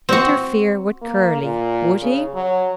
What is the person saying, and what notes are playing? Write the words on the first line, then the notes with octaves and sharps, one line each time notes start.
Interfere with Curly, would he?
C4 F#4
A#3
A#2
C#3
F#3